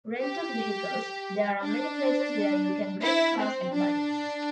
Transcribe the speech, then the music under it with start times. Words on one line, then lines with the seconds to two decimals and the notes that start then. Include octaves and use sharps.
Rented Vehicles - There are many places where you can rent Cars and Bikes.
0.19 G4
1.62 D4
3.03 E4
3.38 C4
3.73 D4